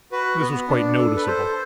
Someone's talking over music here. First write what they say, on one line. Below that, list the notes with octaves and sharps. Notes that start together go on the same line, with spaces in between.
This was quite noticeable.
F#4 B4
B3
D4
A4
B4
A4 C5